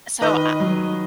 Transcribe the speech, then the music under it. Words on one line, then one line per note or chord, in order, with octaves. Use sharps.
So, I
D#3 B4 D#5
F#3